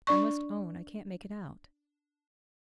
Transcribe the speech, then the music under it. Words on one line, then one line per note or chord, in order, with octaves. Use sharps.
I must own I can't make it out.
D4 D5 C#6